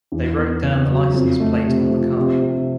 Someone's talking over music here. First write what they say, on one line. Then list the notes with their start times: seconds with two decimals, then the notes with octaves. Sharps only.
They wrote down the license plate on the car.
0.12 E2
0.38 B3
0.63 C#3
0.89 F#3
1.14 F2
1.40 A3
1.66 C3
1.90 F3
2.17 C3
2.43 C3